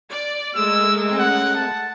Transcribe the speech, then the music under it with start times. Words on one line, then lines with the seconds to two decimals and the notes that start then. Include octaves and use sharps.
I mean,
0.11 D5
0.56 G#3 A3 A#4 E6
1.19 F#5
1.55 A5